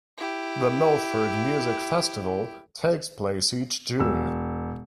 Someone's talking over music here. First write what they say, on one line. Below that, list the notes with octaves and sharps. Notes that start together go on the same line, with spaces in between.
The Milford Music Festival takes place each June.
E4 G4
E1 E6